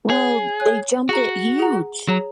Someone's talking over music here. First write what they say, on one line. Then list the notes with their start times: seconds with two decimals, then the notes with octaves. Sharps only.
Well, they jumped it huge.
0.10 G#4 C#5 G#5 F#6
0.60 C#5 G#5 F#6
1.09 F#4 G#4 F#5 A#5
1.59 G#4 F#5 A#5
2.08 F#3 G#4 C#5 A#5